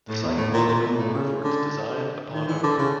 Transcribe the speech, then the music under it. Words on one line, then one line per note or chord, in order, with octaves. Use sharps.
The site won an award for its design upon opening.
A2
E2
A2
A#2
A#2
B2
A2
C#3
D3
D3
D#3
E3
D3
C#3